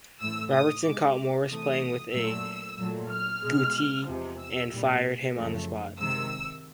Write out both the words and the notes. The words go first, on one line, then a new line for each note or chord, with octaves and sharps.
Robertson caught Morris playing with a guttie, and fired him on the spot.
A2 E3 A3 E6
D#6
B2 G#3 D6
C3 E3 A3 D#6
A#2 F#3 A3 E6
A#2 F#3 A3
F6
B2 G#3
E2 C3 F3 G#3
E6
A#2 G3 A#3
F#2 C#3 F3 A3
C3 D#3 G#3 E6